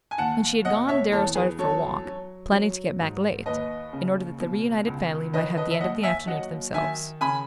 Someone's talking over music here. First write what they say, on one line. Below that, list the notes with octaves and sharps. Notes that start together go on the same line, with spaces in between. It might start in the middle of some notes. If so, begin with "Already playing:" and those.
When she had gone Darrow started for a walk, planning to get back late, in order that the reunited family might have the end of the afternoon to themselves.
G#5
D#2 F#5 A5
B2 D#5 F#5
C#5 E5
E2 A4 C#5
G#4 B4
F#3 A4 C#5
F#3
F#3
G#2
D#2 B4 D#5
C#3
B2
C#2
D#3 B4 D#5
B4 D#5
E5
D#2 D#5 F#5
E5 G#5
F#3 D#5 F#5
D#3 E5 G#5
C#3 G#5 B5